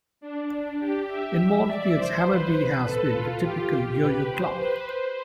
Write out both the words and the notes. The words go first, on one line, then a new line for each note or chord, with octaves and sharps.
In modern years, Hammarby has been a typical yo-yo club.
D4
G4
E5
E5
D5
C5
B4
A4
F4
G4
B4
C5
B4
C5